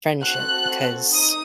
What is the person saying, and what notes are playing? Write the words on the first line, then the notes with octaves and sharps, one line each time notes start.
friendship because
C4 F#4 A4 F#6
D#4 D#6